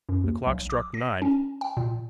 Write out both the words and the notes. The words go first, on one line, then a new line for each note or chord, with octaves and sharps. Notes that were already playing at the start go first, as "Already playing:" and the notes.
The clock struck nine.
F#2
D#2
B1
D6
A#6
C#4
G5
A#2